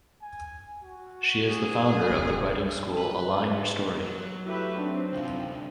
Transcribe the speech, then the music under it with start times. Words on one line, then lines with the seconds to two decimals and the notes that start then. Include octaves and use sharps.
She is the founder of the writing school Align Your Story.
0.22 G#5
0.83 F#4
1.48 G#4
2.10 D#1 C2
2.98 B4
3.55 G#2
4.04 F#3
4.46 A3 E4 F#4 G4 B4 E5
4.76 C4 D4 D#4
5.12 D2 C3 F3